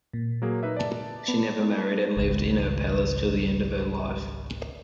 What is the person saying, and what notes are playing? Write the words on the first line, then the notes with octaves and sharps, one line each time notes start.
She never married and lived in her palace till the end of her life.
A#2
F#3 A#3 G#4
D#4 B4 E5
D5 A5
B3
G#1 C#2